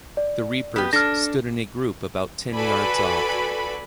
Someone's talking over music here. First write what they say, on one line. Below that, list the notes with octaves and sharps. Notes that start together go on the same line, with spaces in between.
The reapers stood in a group about ten yards off.
D5
B3 G4
D4 A4 F6 A#6
F#4 A4 B4 D5 G#5 B5